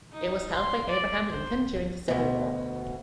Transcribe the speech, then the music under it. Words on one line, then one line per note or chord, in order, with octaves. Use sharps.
It was held by Abraham Lincoln during the Civil War.
D#4
C6
D5
C5
D2 B2